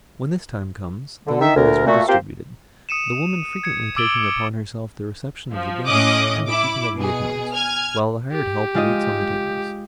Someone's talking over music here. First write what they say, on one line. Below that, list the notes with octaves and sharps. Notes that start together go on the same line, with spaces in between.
When this time comes, the labor is redistributed, the woman frequently taking upon herself the reception of the guests and the keeping of the accounts, while the hired help waits on the tables.
D3
D#3 E5
D2 A#4
A#2 A3 F#4
A#3 C4 F4 G4 C5
D#6 C#7 D#7 E7
G#6 C#7
D6 E6 A6 D7 F#7 G7
F3
A2 C#4 D#5 D6 D#6 F#6
E4 D6
B2 G#4
G#5 F6 G#6
G4
G#3 F4 D#5